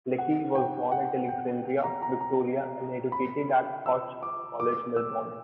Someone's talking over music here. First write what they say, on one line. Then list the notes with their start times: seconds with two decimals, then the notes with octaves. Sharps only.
Leckie was born at Alexandra, Victoria and educated at Scotch College, Melbourne.
0.18 F#5
0.55 G5
0.92 F#5
1.28 G5
1.65 G5
1.84 A#5
2.02 A#5
2.20 A#5
3.12 B5
3.49 B5
3.86 E6
4.23 D6
4.60 D6
4.96 E6